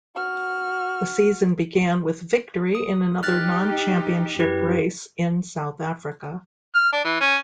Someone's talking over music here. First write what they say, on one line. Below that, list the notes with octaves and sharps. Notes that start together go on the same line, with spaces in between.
The season began with victory in another non-Championship race, in South Africa.
F#4 F6
D#6
D#4 G4 F6 F#6 A6
F#2 E4 G4 B4
F6
D4
E3
C#4